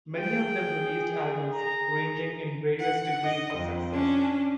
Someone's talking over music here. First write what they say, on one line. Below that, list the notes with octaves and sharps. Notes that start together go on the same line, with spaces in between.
Many of them released albums, ranging in various degrees of success.
G#4 G5
A#5
F#5
D#5
F2
C#4 D4